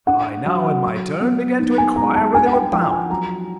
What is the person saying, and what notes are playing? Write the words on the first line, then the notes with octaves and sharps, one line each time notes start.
I now in my turn began to inquire where they were bound?
D4 F#5
F#3
F#3
B3
D#4
G#5
G#3 A#5
A5
D4 G#5
F#5
G5
F3 G5
G#5
F#3 A#5